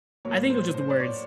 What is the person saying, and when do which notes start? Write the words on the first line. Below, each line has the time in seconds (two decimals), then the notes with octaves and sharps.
I think it was just the words.
0.25 A2 F#3 A#3 C#5
0.50 C5
0.75 C5
0.90 D5
1.00 C#5